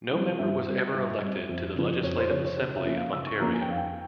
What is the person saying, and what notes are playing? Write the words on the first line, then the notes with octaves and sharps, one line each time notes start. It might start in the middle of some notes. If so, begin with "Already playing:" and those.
No member was ever elected to the Legislative Assembly of Ontario.
E3 G3 C4
G2 E5
G3 C4
G2 E5
G3 C4
F2
C#3 F3
F2 C#5
C5
C#3 F3 C#5
C#5
C#3 C#5
E5
F3 A#3 C#4
F5
C#3 E6
C#6
F3 A#3 C#4 A#5
G#5
G5
F2 F5
G5